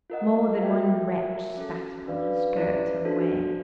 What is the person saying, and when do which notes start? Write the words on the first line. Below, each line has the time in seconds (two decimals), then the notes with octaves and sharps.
More than one wretch spat upon her skirts on the way.
0.10 F4 A#4 D#5 F#5
0.59 F#4 A4 C5 E5 G5
1.08 F#4 A#4 C#5 E5 G#5
1.57 C#4 F#4 A4
2.06 D4 F#4 B4 D5 F5
2.56 C#4 E4 G4 B4 D5
3.05 D4 F#4 A4 C5